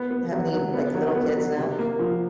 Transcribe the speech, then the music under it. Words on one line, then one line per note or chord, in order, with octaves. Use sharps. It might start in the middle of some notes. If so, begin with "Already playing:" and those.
have any, like, little kids now,
Already playing: B3
B3
F#3
F#3
B3
F#3
B3
F#3
C3
A#3
F3